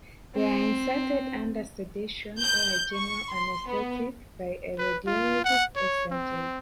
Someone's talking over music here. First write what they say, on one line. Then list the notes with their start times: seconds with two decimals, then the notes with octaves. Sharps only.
They are inserted under sedation or a general anesthetic by a radiologist or surgeon.
0.36 C4
2.43 G6
2.94 C#6
3.32 C6
3.69 B3
4.78 B4
5.07 F4
5.44 F#5
5.76 C#5
6.11 C4